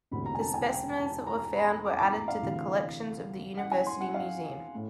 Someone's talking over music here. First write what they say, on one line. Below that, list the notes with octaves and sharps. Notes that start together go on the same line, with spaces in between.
The specimens that were found were added to the collections of the University museum.
E1 D2 C3 B5
A#5
G#5
A5
G#5
G5
A5
A#5
B5
D6
D6
A#5
F5
D2 C3 E3
F#5
G#5
C6
F#5
F5
A2